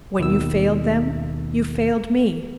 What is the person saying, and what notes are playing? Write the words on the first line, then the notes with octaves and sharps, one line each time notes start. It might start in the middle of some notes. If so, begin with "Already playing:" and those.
When you failed them, you failed me.
D#2 B2 D#3 E6